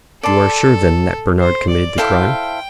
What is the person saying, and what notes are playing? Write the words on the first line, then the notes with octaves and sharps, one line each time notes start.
"You are sure, then, that Bernard committed the crime?"
A4 D5 A5 C6
C5
D5
E4 A4 C5 F5 G5